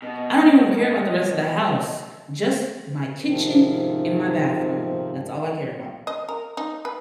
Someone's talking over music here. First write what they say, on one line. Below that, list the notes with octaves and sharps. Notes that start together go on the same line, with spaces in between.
I don't even w care about the rest of the house, just my kitchen and my bathroom. That's all I care about.
B2 D#5
G#2 C3 D#3 F3 C4
D#5
A#4
D#4
B4